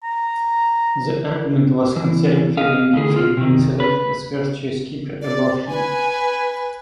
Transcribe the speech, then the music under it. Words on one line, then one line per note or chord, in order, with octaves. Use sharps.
The argument was concerning Fabian Giefer being selected as first choice keeper above him.
A#5
E3
D#5 F5
D2 G#4
F4
C3 D#3
B4
D5
B4 G#5